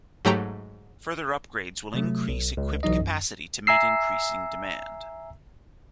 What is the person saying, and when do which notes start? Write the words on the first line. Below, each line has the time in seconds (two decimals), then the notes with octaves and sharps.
Further upgrades will increase equipped capacity to meet increasing demand.
0.25 G#2 F#3 A3 G4 A#5
1.94 C3 F#3 A3
2.28 B1
2.57 C#2
2.83 B1 E3 F#3 D#4 D#5
3.00 F#2
3.67 E5 G#5 A#5 E6 C7